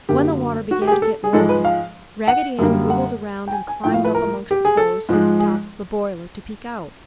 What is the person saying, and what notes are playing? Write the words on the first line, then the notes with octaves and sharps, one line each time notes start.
When the water began to get warm, Raggedy Ann wiggled around and climbed up amongst the clothes to the top of the boiler to peek out.
F#2 D3 F#3 A#3 G4
F#4
G4
G#4
G4
A4
G#4
G#2 F3 G#3 A4
B4
F5
F#5
F#2 D3 G3 A#3
F#5
G5
G#5
G#5
A2 F3 A3 G5
F5
B4
A#4
G4
G#4
A4
G#2 F3 G#3
G#4